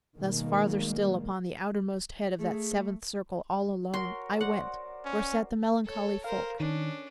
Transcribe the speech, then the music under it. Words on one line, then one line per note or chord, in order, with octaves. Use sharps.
Thus farther still upon the outermost Head of that seventh circle all alone I went, where sat the melancholy folk.
B2 D#3 G3 G#3 A#3
A3 G#4
F#4 A#4 C#5 C6
C5 D5 F#5
C#4
A4 C#5
A#4 C5 F5
D#3 C#4 D4